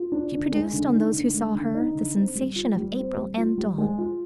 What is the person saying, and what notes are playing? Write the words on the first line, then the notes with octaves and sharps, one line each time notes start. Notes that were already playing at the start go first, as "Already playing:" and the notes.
She produced on those who saw her the sensation of April and dawn.
Already playing: F4
D4
D3
G#3
D3
D#4
D3
G#3
D3
D#4
D3
C4
G3
F4
G3
C4
G3
F4
G3
G#3
F4